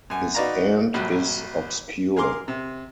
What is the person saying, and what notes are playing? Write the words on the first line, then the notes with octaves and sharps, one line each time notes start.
His end is obscure.
F#2 G#5
D#4 F#4 B4 D5 F5 A#5
A#1 G2 F#3
G#4 A#4 C6 D6 F6
C3